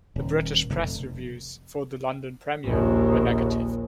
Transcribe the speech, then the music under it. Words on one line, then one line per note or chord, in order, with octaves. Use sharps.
The British press reviews for the London premiere were negative.
D#1
F1
A#1 D#2